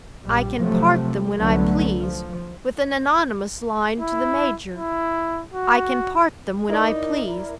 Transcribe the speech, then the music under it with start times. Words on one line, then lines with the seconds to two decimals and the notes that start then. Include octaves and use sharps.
I can part them when I please; with an anonymous line to the major, I can part them when I please!
0.23 A#1 G3
0.59 C3 F3 F#3 A3
1.37 C2 D3 F#3 A3 B3
2.00 F3
4.00 E4
4.74 E4
5.52 F#4
6.69 D#4 E4 A#4 D5